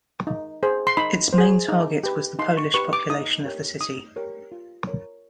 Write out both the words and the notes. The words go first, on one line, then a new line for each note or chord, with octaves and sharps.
Its main target was the Polish population of the city.
D#4
G#4 C5
C6
D#4 B5
C5
G#4
D#4
G4 B4
D#4 C6
C#6
G4 B4 C#6
D6
D#4 D#6
G4 A#4 C#5
D#4 D#6
G4 A#4 C#5
F4
A#4 C#5